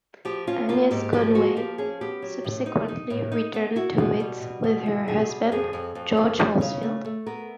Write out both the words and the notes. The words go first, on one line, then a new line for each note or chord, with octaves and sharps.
Agnes Conway subsequently returned to it with her husband, George Horsfield.
F3 G4
C#4 F4
A#3 F4
G#2 G4
F3 G4
A#3 F#4
F3 G4
C#4 G#4
B3 G4
F#3
A2
D#4
D#4
A2
D#4
B3
E4 F#4
B2
G3
B2
B2
E4
B2 G#4
G3
F2 G#4
F2
F2
F2
A3
C#3
A3
A3
B3 A#4